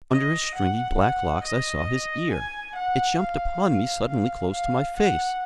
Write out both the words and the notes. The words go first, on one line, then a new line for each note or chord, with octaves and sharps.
Under his stringy black locks I saw his ear; it jumped upon me suddenly close to my face.
D#5
F#5
F#5
D#5
G#5
F#5
F5
F5
F5
F#5